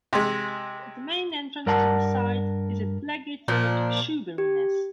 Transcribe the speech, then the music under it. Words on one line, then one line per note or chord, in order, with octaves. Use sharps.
The main entrance to the site is at Blackgate Road, Shoeburyness.
C3 G#3
G2 A#4 D5 F#5 A5
A#2 F3 D4
G4